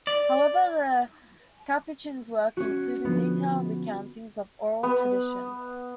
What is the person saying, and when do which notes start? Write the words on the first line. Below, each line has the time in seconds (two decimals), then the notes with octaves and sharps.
However, the Capuchin's work included detailed recountings of oral tradition.
0.07 D5
2.57 C#4 F#4
3.05 D3 F3 B3
4.83 B3